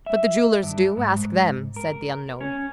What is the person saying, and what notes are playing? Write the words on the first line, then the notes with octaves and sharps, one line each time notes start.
"But the jewelers do: ask them," said the unknown.
E5
G2
G#2
A#4
C#4